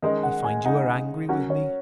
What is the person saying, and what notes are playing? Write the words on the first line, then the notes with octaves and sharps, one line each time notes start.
I find you are angry with me.
D#3 G#3 C#4 D#5
F#5
G#5
C#3 G#3 D#4 F#5
F#3 C#4 F#4 A#4 F#5
C#5